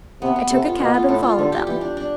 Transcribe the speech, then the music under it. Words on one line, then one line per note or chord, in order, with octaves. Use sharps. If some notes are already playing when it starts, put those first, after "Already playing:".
I took a cab and followed them.
C3 B3
B3
C3 A4
F4
B2 B3
F4
A2 A4
F4
D3 G3
G4
E3 G4
D4
D4